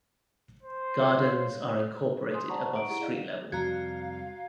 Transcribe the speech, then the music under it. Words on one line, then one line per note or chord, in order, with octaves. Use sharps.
Gardens are incorporated above street level.
C5
F4 C#5
G#5 C6 D#6
C5 D5 F#5 A5 A#5 C#6
F#5 A#5 C#6 D7
E4 G4 G#4 F#5 A#5 D7
E4 G#4 D5 D#5 F5
F2 C3 G3 F#4 F5 A#5 G#6